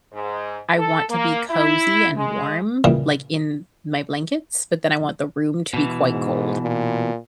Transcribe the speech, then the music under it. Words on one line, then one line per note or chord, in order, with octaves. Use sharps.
I want to be cozy and warm, like, in my blankets, but then I want the room to be quite cold.
G#2
A4
A#3
E4
G#3
A#2 C#3 E3 G3
B2 E3
G#2
A#2